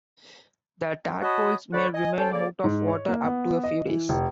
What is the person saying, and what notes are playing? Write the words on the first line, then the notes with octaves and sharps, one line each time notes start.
The tadpoles may remain out of water up to a few days.
F#4 C#5 D#5 A5 B5 D#6
D2 C5 D5 F#5 B5 C#6
D#5 G#5
C#4 A4 C5 G5 A5
C#3 A#3 A4 D5
G#2
C#5
A#3
B3
D#5
E3
F1